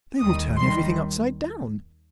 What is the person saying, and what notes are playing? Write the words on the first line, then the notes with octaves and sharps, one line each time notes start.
"They will turn everything upside down."
D#2 D#3 G3 D#6
D#2 D#3 G3 C6